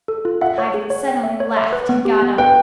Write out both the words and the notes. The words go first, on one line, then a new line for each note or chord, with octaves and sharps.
Ivan suddenly laughed and got up.
A4
F4
E5 F#5
C#5
G#4
C#5
G5
E5
C#5
E5
B4
B3
G4
B3
B4 G5